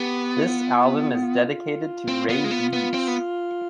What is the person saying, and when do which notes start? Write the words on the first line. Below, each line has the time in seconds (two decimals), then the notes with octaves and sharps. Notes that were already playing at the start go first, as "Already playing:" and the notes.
This album is dedicated to Raybeez.
Already playing: B3 G4
0.36 F4
1.22 F4
2.08 C4
2.30 B3
2.44 G#3
2.51 B3
2.73 B3
2.94 C4
3.08 B3